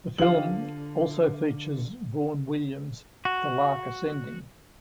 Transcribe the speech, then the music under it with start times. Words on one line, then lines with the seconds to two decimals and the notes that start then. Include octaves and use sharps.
The film also features Vaughan Williams's "The Lark Ascending".
0.18 D3 F4 G4 C5 F5 F#7
3.25 F#4